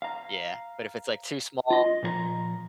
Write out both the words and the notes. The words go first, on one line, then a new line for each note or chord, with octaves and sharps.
yeah, but if it's, like, too small,
F5 A#5
F4 D#5
A#2 F3 B4 A#5